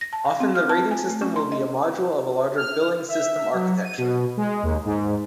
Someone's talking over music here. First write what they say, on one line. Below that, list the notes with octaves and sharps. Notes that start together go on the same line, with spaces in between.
Often the rating system will be a module of a larger "Billing System" architecture.
A#6
A5
F5
C4
F6
A5
G#5
A3
C#4
C6
D#5
F6
E5
F#3
D#7
B2
G#3
D#2
G#2